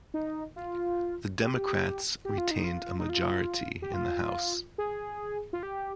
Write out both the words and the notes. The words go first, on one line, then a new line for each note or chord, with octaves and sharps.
The Democrats retained a majority in the House.
D#4
F4
G4
G4
F4
D#4
F4
D#4
F4
G4
F4
G#4
F4
G4